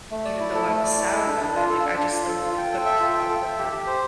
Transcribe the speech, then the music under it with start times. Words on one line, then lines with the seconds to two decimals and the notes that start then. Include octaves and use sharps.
even though I was sad about it Like, I just literally couldn't keep up with them,
0.11 A3
0.25 D5
0.40 E4
0.55 A4
0.69 A3
0.83 D5
0.98 E4
1.12 A4
1.26 D4
1.41 D4
1.56 F4
1.70 A4
1.85 D4
1.99 D4
2.13 F4
2.28 A4
2.43 F4
2.57 G5
2.72 A4
2.85 E5
3.01 F4
3.14 G5
3.30 A4
3.44 E5
3.59 G4
3.73 G4
3.87 C5